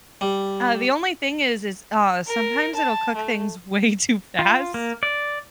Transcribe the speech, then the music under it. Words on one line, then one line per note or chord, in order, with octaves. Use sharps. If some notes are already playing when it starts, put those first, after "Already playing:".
Uh, the only thing is is, uh, sometimes it'll cook things way too fast.
G3
A#4
A5
A3
F4
A#3
D5